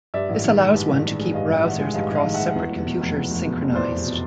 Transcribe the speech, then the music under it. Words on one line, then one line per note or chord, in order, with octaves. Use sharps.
This allows one to keep browsers across separate computers synchronized.
G2 D5 E5
A1
D#3
G#3
G2
A1
D#3
G#3
G2 D#5 F5
A1
D#3 E5 F#5
G#3
G2 D#5 F5
A1
D#5 F5
D#3
E5 F#5
G#3
E2
F1
B2
F1
E2
F1
B2
F1
E2 C5 D5
F1
B2